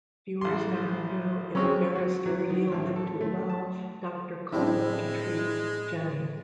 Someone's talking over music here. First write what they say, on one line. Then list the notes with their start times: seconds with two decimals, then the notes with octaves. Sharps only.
Viewers never knew if Barrister yielded to allow Doctor Culver to treat Jenny.
0.41 A1 C6
1.55 F#3 G#3 C4 C#4 C#5
1.96 F#4
2.26 F#3
2.50 D#3
2.72 A1
2.96 A4
3.21 A3
3.50 A5
4.53 A1 G#3 C4 D4 E4